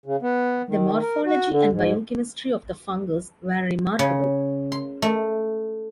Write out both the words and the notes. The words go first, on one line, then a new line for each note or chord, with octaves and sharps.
The morphology and biochemistry of the fungus were remarkable.
C#3
B3
D#3
A#4
F#4
D3
G#2
C#3
C6
A3